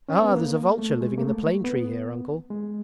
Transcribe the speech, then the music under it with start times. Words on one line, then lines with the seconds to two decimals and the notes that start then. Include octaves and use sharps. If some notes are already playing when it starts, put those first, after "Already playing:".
'Ah, there's a vulture living in the plane tree here, Uncle.
0.09 C#4
0.22 B3
0.36 A#3
0.79 A3
1.01 G#3
1.18 A#3
1.21 A3
1.64 B3
2.51 G#3